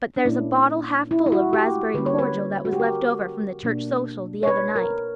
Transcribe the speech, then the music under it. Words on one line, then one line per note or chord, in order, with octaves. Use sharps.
But there's a bottle half full of raspberry cordial that was left over from the church social the other night.
D4
A#2 A#3 C#4 E4
E4
E4
F#4
G4
D3 G3 A#3 C#4 B4
C#5
B4
F#4
G4
A#4
B2 A#3 D4
C#5
B4
A#4